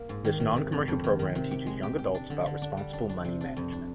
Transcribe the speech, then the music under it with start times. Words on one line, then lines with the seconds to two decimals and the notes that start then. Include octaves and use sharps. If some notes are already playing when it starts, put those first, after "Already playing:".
This non-commercial program teaches young adults about responsible money management.
Already playing: A#3
0.09 G#2
0.25 D#3
0.40 D#3
0.56 C3
0.72 F2
0.88 F2
1.04 D#3
1.19 D#3
1.35 C3
1.51 G4
1.66 G#3
1.83 G4
1.98 G4
2.14 D4
2.30 D3
2.46 D3
2.62 D4
2.77 G3
2.93 D4
3.09 D4
3.25 C3
3.41 D4
3.57 F2
3.72 D4